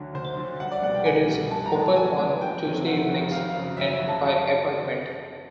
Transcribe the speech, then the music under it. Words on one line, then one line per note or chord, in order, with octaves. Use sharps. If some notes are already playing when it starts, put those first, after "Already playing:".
It is open on Tuesday evenings and by appointment.
Already playing: D2 D3 F#3
D2 C5
D3 F#3
C2 F#5
D5
B2 G3 F#5
G5
C2 G#5
G3
B2
G2 A5
A#5
E3 G#3 B3
A5
G2 G#5
E3 G#3 B3
F1 G5
F2 C3 D#3 F#3
F1 F#5
F2 C3 D#3 F#3
G#1 F5
F#2 C#3 F#3
G#1 E5
E5
F#2 C#3 F#3
A5
A5